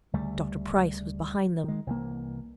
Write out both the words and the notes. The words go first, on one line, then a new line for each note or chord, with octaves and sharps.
Dr. Price was behind them.
D2 C#3 G3 A3
D#3 G#3
C2 E3 A#3